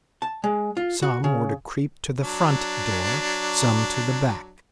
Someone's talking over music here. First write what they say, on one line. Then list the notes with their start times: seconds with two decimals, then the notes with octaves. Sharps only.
Some were to creep to the front door, some to the back.
0.22 A5
0.44 G#3
0.77 F4
1.02 F#4
1.24 C#3
2.23 F#3 D4